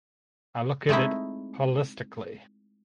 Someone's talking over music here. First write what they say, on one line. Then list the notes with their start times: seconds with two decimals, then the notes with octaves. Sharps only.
I look at it holistically.
0.89 G#3 A3 C4 D#4 E4